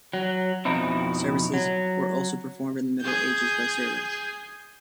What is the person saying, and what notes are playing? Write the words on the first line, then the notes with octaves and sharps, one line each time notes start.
Services were also performed in the middle ages by servants.
F#3
F2 B2 C4 D#4 E4
F#3
G#4 G6